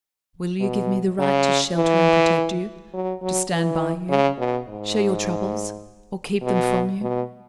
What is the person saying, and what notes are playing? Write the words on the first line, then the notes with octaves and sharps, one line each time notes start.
"Will you give me the right to shelter and protect you, to stand by you, share your troubles, or keep them from you--?"
B2
C#3
E3
F#3
F#3
E3
C#3
B2
G#2
B2
B2